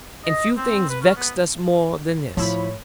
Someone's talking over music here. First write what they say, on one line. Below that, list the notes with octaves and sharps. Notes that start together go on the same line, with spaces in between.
And few things vexed us more than this.
D#5
C4
B4
C#4
B3
A2 F3 E4 C#5 B5